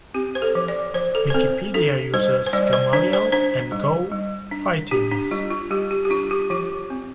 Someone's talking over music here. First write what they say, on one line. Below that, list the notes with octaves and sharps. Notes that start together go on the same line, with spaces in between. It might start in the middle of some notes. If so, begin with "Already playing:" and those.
Wikipedia users Gamaliel and Go Phightins!
C4 G4
C5
A4
F3
D5
F3 C5
A4
C5
C4 A4
D4 A4
G3 C5
C5
G3 D5
C5
D4 C5
C5
D4 C5
G3
G3
D4
D4 G4
D4
G3 F4
F4
G3 G4
G4
G4
D4 F4
G4
F3 F4
C4